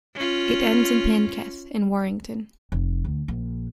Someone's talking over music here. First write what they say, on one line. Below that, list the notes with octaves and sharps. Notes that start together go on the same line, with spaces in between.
It ends in Penketh in Warrington.
C#4 F4
F1
D2
A#1